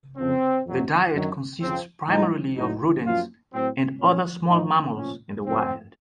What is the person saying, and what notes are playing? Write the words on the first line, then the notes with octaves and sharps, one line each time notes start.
The diet consists primarily of rodents and other small mammals in the wild.
F2 C#3 F3 C4
F2 C3 F#3
F#2 D#3 F#3
F2 C#3 F3 C4
A2 F3 D#4
A2 F#3 D#4
F#2 F3 F4
A2 F#3 C4
A#2 F#3 C#4
A2 F3 D#4
A#2 F3 C#4
F2 C#3 F#3 C4